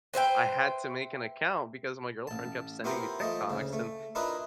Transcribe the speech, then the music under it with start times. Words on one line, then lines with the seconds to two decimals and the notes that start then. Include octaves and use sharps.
I had to make an account because my girlfriend kept sending me TikToks, and
0.14 B4 C5 E5 G5
2.27 A1 A5
2.84 B3 E4 F4 G4 A#4 C5
3.19 F3 A3 D#5 A5
3.49 D2 C#3
3.73 A3
4.15 D4 E4 F4 A#4 B4 D#5